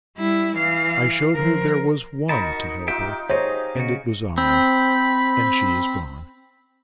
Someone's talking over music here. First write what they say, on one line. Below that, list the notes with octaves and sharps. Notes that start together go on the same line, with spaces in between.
I showed her there was one to help her, and it was I. And she is gone.'
G3 E4
E3 F5
F3 A#4
D#4 F#4 A#4 D#5 A5 B5
D#4 F4 G4 E5 G5
G4 G#4 C5 C#5 D#5
C#3 F#4
C4 B5